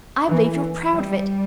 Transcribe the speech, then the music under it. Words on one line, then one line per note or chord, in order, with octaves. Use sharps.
I believe you're proud of it.
E3
G3